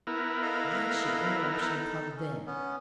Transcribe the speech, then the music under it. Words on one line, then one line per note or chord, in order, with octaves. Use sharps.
Why should interruption come then?
B3 E4 A#4
A4 D#5 F5
D#4 A4
C#4
B3 C#4